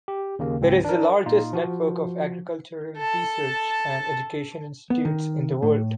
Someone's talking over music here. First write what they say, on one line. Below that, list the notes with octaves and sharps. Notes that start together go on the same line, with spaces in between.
It is the largest network of agricultural research and education institutes in the world.
G4
D#2 C#3 A#3
C#2 G#2 C4
D4 A#4
A#2 D#4 F4
F3 F#4
A4 A5
B3
D#3
A2